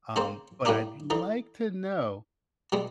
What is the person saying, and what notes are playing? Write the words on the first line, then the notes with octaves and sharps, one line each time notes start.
um, but I'd like to know
C#3 A#3 C4 C5
A2 G3 A3 A#3 D4 D#4
D3 E3 D#4
B2 G3 G#3